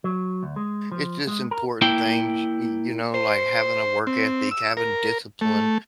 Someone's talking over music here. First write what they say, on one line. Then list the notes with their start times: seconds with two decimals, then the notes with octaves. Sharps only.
it's just important things, y y you know, like having a work ethic, having discipline,
0.04 F#3
0.43 D2
0.56 G#3
0.92 F3
1.27 G#3
1.51 A#4
1.82 A#3 E4 G5
3.14 C5
4.07 C4
4.51 E6
4.77 A#4
5.41 A3